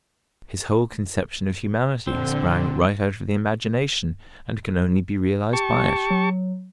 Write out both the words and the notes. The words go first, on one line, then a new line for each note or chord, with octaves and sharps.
His whole conception of Humanity sprang right out of the imagination and can only be realised by it.
A#1 D3 C4
G4 A5 C#6
F#3